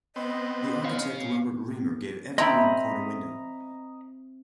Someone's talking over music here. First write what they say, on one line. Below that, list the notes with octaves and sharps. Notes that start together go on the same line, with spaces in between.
The architect Robert Reamer gave every room a corner window.
B3 C4 D#5
C#5 F5
C4 E4 D#5 A#5 B5